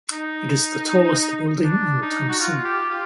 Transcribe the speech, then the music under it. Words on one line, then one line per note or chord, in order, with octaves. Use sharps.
It is the tallest building in Tamsui.
D#4
D4
D#4
F#4
F4
G4
F4